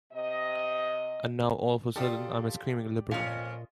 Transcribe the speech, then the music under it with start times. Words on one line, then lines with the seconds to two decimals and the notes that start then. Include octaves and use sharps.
And now all of a sudden I'm a screaming liberal.
0.12 C3 D#5
1.96 F4 G4 A4 D5 D#6
3.11 F2 A#2 C#4 F4 D#5